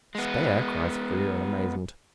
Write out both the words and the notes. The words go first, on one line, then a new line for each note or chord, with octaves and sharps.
"Spare!" cries Frere, in amazement.
G#3 B3